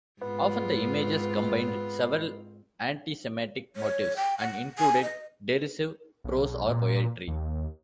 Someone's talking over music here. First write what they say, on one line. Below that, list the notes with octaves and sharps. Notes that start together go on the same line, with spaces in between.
Often, the images combined several antisemitic motifs and included derisive prose or poetry.
G#2 B3 C4 F4
C#5
G5
F#5
G#5
D#5
B1
A#2
D#2